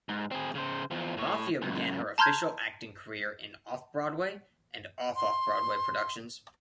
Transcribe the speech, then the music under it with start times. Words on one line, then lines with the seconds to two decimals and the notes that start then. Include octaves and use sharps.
Maffia began her official acting career in Off-Broadway and Off-Off-Broadway productions.
0.09 G#2
0.31 C4 G#4
0.55 C#3 C5
0.91 E2 F3
1.17 A2 C#5
1.62 C#2 F#2
2.18 A5 A#5 C6 F6 G6 G#6
5.16 C6